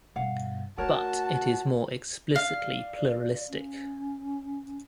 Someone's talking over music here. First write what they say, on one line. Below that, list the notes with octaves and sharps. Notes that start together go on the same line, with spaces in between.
But it is more explicitly pluralistic.
G2 B2 F5 F#5
A3 F#4 A#4 C#5 A5
D5 F5
C#4